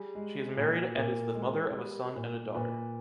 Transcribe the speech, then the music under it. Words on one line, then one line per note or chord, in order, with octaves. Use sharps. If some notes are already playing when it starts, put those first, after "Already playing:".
She is married and is the mother of a son and a daughter.
Already playing: G3 G#4
G#3
A#2
A#2 A#4
G#3
G3
A#2
A#2 B4